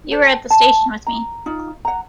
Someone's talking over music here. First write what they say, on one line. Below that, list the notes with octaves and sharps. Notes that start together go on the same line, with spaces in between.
You were at the station with me.
A4 C5
A5
A#5
D#4 F4
F#5 A#5